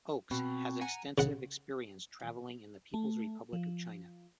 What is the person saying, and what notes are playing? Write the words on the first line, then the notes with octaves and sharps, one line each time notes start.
Oakes has extensive experience travelling in the People's Republic of China.
B2 C4
F#5 G#5 A#5
C#3 F#5
A3
F3